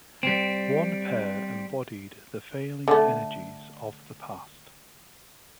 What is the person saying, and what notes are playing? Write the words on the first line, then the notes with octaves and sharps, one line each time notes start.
One pair embodied the failing energies of the past.
G3 C4
D3 A3